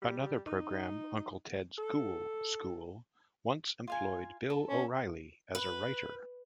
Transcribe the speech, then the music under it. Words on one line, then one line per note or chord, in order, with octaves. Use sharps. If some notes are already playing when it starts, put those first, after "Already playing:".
Another program, "Uncle Ted's Ghoul School", once employed Bill O'Reilly as a writer.
G3
D#4
A4
F4 F5 G#5
A4
C#4
B4